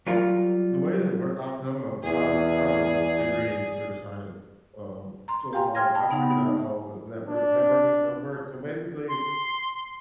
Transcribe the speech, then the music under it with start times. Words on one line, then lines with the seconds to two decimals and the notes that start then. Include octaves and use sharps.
the way that it work I 'cause I'm a I I have a com degree in computer science, um, so it's like I've figured out how all the network networking stuff works so, basically,
0.07 F#3 G3 F4 A#4
2.03 E2 G#4 D5
5.28 A#5 C6
5.53 G4 F5 G5 G#5 A#5 C6
5.75 G5 C6 F6 G#6 A#6
5.95 G5 A5 B5
6.10 C#3 B3 D#4 F#5 B5
6.30 B3 D#4
7.27 D4
9.08 C6